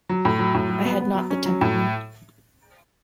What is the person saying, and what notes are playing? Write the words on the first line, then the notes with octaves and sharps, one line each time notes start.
I had not the temperament.
F#3
A2
F#3
A2
F#3
B3
B3
F#3
C#4
F#3
A2